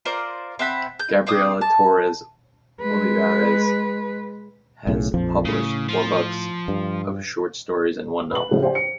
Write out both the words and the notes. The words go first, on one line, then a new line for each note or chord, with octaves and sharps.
Gabriela Torres Olivares has published four books of short stories and one novel.
F4 A#4 C5 D5
C4 E5 F#5 B5
G6
C4 F4 D5 D#6
A5
G#3 B4
B1 A2 C#3
A#1 F2 F3
A2 C#3
F3
G2
B4 F#7
A2 C#3 F3 F#3
G4 C5 D5 F5 G5 G#5
C#7